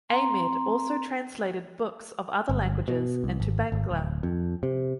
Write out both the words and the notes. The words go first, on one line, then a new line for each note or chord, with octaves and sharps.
Amed also translated books of other languages into Bangla.
C4 A#5 C6
G1
B2
C2
G#1
G#1
D1
F2
C3